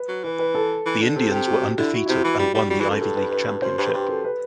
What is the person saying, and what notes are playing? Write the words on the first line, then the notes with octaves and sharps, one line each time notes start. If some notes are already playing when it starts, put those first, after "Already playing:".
The Indians were undefeated and won the Ivy League championship.
Already playing: B4
F#3
E3 B4
B4
A4
E3
D3
C3 A4
G4
F#4
D3 E4
F#4
C3 E4
E3 F#4
G3
G3
G3 F#4
E3
F#2 A4
G2 A4
B4
B4
B4
F#2 C5
G2 B4
G2 G4
F#2 A4
B4